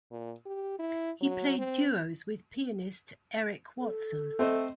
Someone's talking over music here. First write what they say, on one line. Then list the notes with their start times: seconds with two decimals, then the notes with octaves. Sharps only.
He played duos with pianist Eric Watson.
0.11 A#2
0.46 G4
0.79 E4
1.21 F#3
1.58 C4
3.79 A4
4.39 A3 C4 C5 D#5